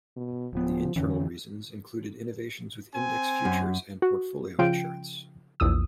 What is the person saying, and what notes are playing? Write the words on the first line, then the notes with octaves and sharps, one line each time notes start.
The internal reasons included innovations with index futures and portfolio insurance.
B2
D1 F3 B3
F2 D3 E3 C#4
C4 G#5
F#2
F#4
C#3 F3 F4 G5 D7
A#1 E2 D#6 E6